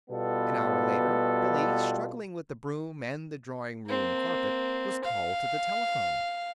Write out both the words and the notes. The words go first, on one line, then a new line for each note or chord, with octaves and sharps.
An hour later Billy, struggling with the broom and the drawing-room carpet, was called to the telephone.
B2 G3 B3 F4 A4
A#3 C4
F5